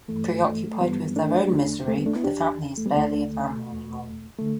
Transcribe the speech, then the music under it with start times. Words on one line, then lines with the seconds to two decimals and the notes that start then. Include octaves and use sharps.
Preoccupied with their own misery, the family is barely a family anymore.
0.08 G2 E3 A3
0.44 A3
0.80 G2 E3 G3 B3
1.16 A3 D4
1.52 E2 D3
1.88 A3
1.96 G3 B3
2.06 A3 D4
2.15 B3 E4
2.24 E2 E3 D4 G4
2.78 A3
2.86 G3 B3
2.95 D2 D3 A3
3.67 E2 B2
4.39 D3 A3